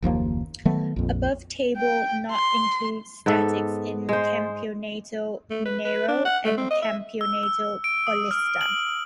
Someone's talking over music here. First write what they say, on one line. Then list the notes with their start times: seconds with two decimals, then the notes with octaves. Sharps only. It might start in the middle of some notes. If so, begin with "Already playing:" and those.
Above table not include statics in Campeonato Mineiro and Campeonato Paulista.
0.02 F#1 D#2 F3 A#3
0.65 D#3 F#3 A3 B3
0.96 A#1 F2
1.77 G5
2.31 C6
3.26 G#2 B3 A4 E5
4.09 G#3 C5
5.51 A3
5.65 B4
5.85 B4
6.08 D4
6.25 F#5
6.45 A3
6.57 C4
6.71 D#5
6.82 E5
7.21 E6
7.43 E6
7.84 D7
8.07 D#6
8.31 F6
8.61 F#7